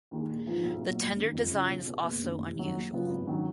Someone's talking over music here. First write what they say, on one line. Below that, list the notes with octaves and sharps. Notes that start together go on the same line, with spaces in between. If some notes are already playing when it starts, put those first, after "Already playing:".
The tender design is also unusual.
D#2 D#3 G#3
A#1
G#2 F3 B3 F4
B1
A#2 F#3
F#1
F#2 D#3
F2
C#3 G#3 C#4 F4
B1
B2 G#3 B3
F#1
F#2 D#3
F1
F2 D#3 F#3
D#2
C#3 F#3 B3 F4
G#1
D#3 F#3 C#4